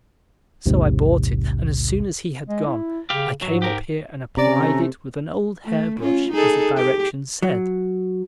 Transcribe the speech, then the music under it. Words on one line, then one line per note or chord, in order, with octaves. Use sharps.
So I bought it, and as soon as he had gone I came up here and applied it with an old hairbrush as the directions said.
A#1 D#2 G#2 C3
G#3
E4
C#3 G4 F5
G#2 F#3
G4 A#4
C3 C#4 D5 A#5
A3
A3
C#4 F4
D#4 G#4 A4
G4
F#3